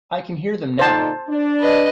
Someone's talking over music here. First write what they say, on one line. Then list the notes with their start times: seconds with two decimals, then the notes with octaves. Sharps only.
I can hear them now.
0.79 A#2 D3 D#4 C5 A5
1.28 D4
1.60 B4 D#5